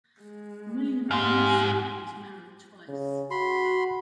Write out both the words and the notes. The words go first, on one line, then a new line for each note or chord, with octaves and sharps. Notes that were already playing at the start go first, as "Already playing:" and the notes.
William of Nassau was married twice.
G#3
G#2 G4 F5 C6
C#3
F#4 B5 C6